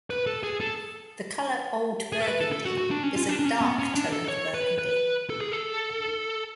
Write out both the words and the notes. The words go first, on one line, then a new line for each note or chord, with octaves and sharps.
The color "old burgundy" is a dark tone of burgundy.
B4
A4
G#4
A4
G#4
A4
B4
A4
A4
F#4
F#4
D4
C#4
F4
C#4
D4
D4
C#4
B3
C#4
D4
A4
C#5
B4
B4
A4
G#4
A4